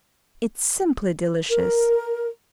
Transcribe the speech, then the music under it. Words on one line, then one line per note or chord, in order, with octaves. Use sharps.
It's simply delicious!
A#4